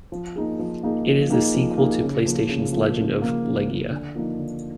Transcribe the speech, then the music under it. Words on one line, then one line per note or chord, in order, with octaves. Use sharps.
It is the sequel to PlayStation's "Legend of Legaia".
F3
A#3 D#4 G#4
F3
A#3 D#4 G#4
F3
A#3 D#4 G#4
F3
A#3 D#4 G#4
C#3
F3 A#3
C#3
F3 A#3
C#3
F3 A#3
C#3
F3 A#3
D3
F3 A#3 D#4
D3